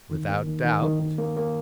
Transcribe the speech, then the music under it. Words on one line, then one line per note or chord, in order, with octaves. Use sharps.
"Without doubt."
D#3
A#3
D#3
D#3
D#3
D#3
A#3
A#3